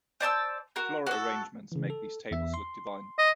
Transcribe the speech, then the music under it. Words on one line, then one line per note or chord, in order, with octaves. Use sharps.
Floral arrangements make these tables look divine.
C5 D5 A5 E6
F#4 A#4
F#4 A4
C#3 E3
A4
E2 E5
C6
D#5